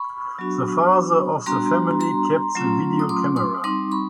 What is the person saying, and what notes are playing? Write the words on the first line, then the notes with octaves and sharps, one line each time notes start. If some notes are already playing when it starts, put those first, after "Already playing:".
The father of the family kept the video camera.
Already playing: B5 C#6
F#3 B3 D4 F#4
G3 B3 D4 F#4 A#5 C6
A#5 C6
F#3 A3 C#4 F4
D#6
C6 D6
C6 D6
G3 C4 D#4 C6 D6
B5 C#6